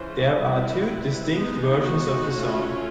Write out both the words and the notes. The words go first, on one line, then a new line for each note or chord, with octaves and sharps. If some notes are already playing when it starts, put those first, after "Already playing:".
There are two distinct versions of the song.
Already playing: E3 G#3 C#4 F4 C5
G3 C4 E4 B4
G#3 B3 D#4
F#4
A3 C#4 F4